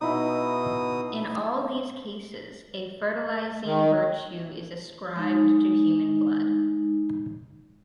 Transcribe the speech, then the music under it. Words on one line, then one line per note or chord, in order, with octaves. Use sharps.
In all these cases a fertilizing virtue is ascribed to human blood.
B2 D#4 E4 D#6
D#3
G#3 D#4